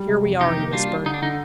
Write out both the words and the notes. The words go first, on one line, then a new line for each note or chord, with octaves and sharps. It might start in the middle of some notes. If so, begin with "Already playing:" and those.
"Here we are," he whispered.
Already playing: G3
C3
F2
C3 D#4 G4
A#3
G3 D4 F4
G3
D3 D#4
D4
D3 D#4